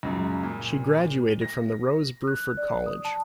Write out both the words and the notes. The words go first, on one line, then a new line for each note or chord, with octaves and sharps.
She graduated from the Rose Bruford College.
C#2 F#2 C#3
A#2
A#6
F#6
D5
D#6
A5